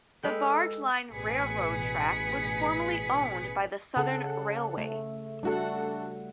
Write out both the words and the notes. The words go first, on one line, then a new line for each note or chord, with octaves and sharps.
The Barge Line Railroad track was formerly owned by the Southern Railway.
G#3 A4 B4 G5
A1 B2 G#4 B4 B6 C#7
C#3 G#4 A4 F#5
A3
G3 A3 D4 F#4 A4 F#5